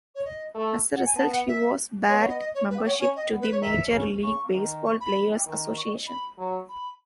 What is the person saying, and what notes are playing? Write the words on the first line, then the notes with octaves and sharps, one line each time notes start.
As a result, he was barred membership to the Major League Baseball Players Association.
C#5
D#5
A3
F#5
G#5
B3 A5
F#5
E5
B3 C#5
C#5
D#5
D#5
C#5
B4
C#5
C#4 C#5
D#5
B3
B4
C#5
D#3 E5
C#3
C#3 C#6
D#3
C#6
B5
D#3
C#6
B5
F#3
B5